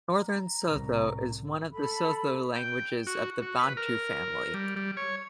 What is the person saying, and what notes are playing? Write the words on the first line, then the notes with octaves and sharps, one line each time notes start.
Northern Sotho is one of the Sotho languages of the Bantu family.
A#5
C2 A2
A4 B5
G5
F#4
F#4
B4
A#4
G3
G3
C#5